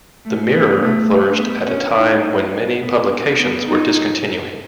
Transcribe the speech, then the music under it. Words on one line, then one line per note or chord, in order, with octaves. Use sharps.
The "Mirror" flourished at a time when many publications were discontinuing.
A3
B3
A3
A3
B3
C#4
D#4
B3
B3
D#4